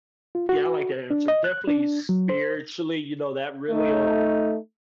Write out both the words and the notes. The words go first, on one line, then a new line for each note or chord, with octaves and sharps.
Yeah, I like that answer, definitely spiritually, you know, that really, um
F4
F#4
D4
D#5
F#6
D4
F#3
C5
A3 D#4